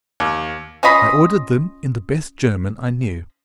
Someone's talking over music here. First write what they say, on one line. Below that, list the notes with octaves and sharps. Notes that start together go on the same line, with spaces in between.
I ordered them in the best German I knew.
D#2
C#4 F4 D#5 B5